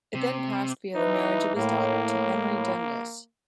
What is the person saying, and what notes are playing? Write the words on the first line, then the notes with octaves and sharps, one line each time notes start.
It then passed via the marriage of his daughter to Henry Dundas.
C3
E3 D#4
A2 A#3